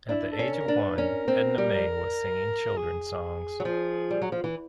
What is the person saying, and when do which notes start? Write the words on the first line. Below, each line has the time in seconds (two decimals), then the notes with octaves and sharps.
At the age of one, Edna Mae was singing children's songs.
0.09 D4 E4
0.32 A4
0.39 C#4
0.54 A#4
0.68 D4
0.75 B4
0.98 C#4 A#4
1.28 C4
1.58 G3
2.77 G#4
3.60 F#3
3.65 F3
4.10 G3
4.22 F#3
4.32 F3
4.44 E3